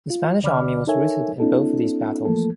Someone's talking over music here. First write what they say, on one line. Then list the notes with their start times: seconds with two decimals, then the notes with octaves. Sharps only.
The Spanish Army was routed in both of these battles.
0.10 F4
0.42 D2 D3 D5 B5 D6 F6
0.87 D#4 A4 A#4 C#5 E5 G#5
1.40 B3 C#4 D#4 F4 A4
2.25 E3 F3 A3 A#3 A4